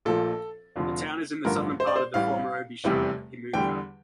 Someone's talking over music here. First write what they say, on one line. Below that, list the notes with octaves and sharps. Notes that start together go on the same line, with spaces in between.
The town is in the southern part of the former Obi Shire, Himuka.
A#1 A#2 F3 A4
F1 F2 D3 F3
A1 G2 D3 F3 A#4
C5
D5
C5
A1 A2 G3 F5
F1 E2 C3 G3
E2 D3 G3 G5